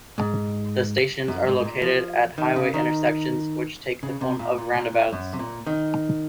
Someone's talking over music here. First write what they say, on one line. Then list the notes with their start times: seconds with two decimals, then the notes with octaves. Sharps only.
The stations are located at highway intersections which take the form of roundabouts.
0.18 G#2
1.28 F#2
1.47 G#2
1.60 G#2
1.65 A#2
1.83 F3
2.38 D#3
2.56 C#3
2.74 D#3
4.03 C#3
4.21 C3
4.39 A#2
4.58 A#2
4.75 A#2
4.93 A#2
5.13 F#2
5.33 C3
5.39 A#2
5.67 D#3